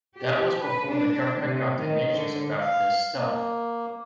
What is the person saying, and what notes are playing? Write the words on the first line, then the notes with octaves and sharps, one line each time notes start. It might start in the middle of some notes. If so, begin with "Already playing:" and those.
That was before the government got tenacious about this stuff.
G4
B4
D4
C3
D#3
D3
F5
A#3